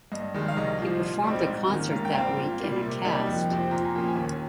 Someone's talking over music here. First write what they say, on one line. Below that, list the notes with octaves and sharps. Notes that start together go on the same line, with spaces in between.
He performed a concert that week in a cast.
G2 D#5
D#3 G#3
F5
C2 D#5
A#2 F3
A#2
G3 C4 D#4
G#2
D#3 A#3 C#4
G#2 F5
G5
G3 C4 F5
A#2
G3 A#3
C3
G3 A#3 D#4
F2
C3 F3 C4
A#2 A#5
G#5
F3 A#3 C#4 G5
G#5
D#2